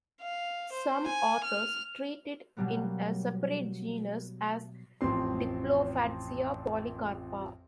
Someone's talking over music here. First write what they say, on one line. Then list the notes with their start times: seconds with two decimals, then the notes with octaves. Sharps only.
Some authors treat it in a separate genus, as "Diplofatsia polycarpa".
0.22 F5
0.73 C5
1.06 G#5
1.45 F6
2.57 B2 F#3 G3 A#3 B3
5.01 A1 F2 C4 C6